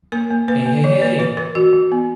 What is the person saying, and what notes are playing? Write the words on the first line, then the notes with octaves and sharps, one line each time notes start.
Hey, hey, hey!
A#3 A#4
A#3
A#3 B4
A#3
E3 C#5
A#3 B4
E3 B4
E3 A#4
E3 F#4
E3
B3